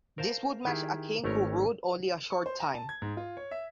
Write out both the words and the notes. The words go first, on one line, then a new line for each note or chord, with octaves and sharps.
This would match a king who ruled only a short time.
A#4 C5 F5 A5
D#3 E4 G4 G#4
G#1 A3 C#4 A#4 C#5
C#6
C5
A#5
A5
G#6
G#2
F4
C#5
E5